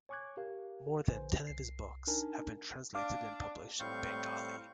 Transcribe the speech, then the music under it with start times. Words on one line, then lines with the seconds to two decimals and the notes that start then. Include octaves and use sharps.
More than ten of his books have been translated and published in Bengali.
0.09 C#5 G#5 C#6 D6 F#6 G#6
0.37 G4 A#4 F5
1.08 A#1 D3 B4 C5 G#5
1.47 C2 C7
2.07 D4 D#4 A#4 G#5 A5
2.95 D4 F5 D6
3.80 A2 G3 C4 F5 C#6 G6